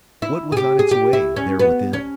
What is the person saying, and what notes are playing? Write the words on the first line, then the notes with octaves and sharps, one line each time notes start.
What was on its way there within?
E4
G#4
G4
G#4
G4
E4
C#4
B3
C#4